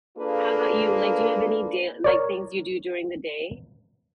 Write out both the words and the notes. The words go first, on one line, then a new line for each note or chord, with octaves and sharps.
How about you? Like, do you have any da like, things you do during the day?
A#3 D4 F4 G#4 A4 B4
A#4 C#5 D5